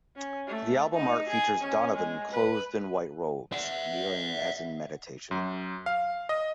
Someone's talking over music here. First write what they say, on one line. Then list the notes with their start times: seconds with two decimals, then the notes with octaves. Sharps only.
The album art features Donovan clothed in white robes, kneeling as in meditation.
0.16 C#4
0.47 A3
0.94 D#4
1.29 G#4
1.61 C#4
1.96 G#3
2.31 B4
3.53 E5 F#5
5.31 F#2
5.86 F5
6.29 D#5